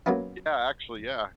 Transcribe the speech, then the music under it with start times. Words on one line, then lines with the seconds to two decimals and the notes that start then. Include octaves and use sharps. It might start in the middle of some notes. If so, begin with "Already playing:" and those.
Yeah, actually, yeah.
0.06 F#3 A#3 B3 C#4 E4